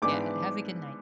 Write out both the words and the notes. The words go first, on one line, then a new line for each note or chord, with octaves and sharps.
Yeah, have a good night.
G#2 E3 B3 D4 D6